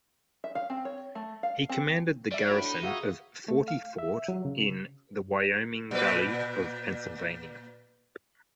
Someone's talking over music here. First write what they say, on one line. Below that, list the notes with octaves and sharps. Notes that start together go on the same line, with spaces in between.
He commanded the garrison of Forty Fort in the Wyoming Valley of Pennsylvania.
E5
F5
C4
C#5
A3
F5
C4
G3 D5 E5
A2 D4 F#4 B5
D#4
F4 F#4 G#4 E5 F5
A3
F5
E5
F#3
C#3
A#2 B4